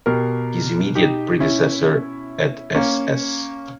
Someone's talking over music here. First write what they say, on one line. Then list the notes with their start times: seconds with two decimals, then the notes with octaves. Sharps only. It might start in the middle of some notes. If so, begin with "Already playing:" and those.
His immediate predecessor at Ss.
0.06 B2 G4 A#4
0.95 D#4 G4
1.40 C#4 E4
2.75 A#3 C#4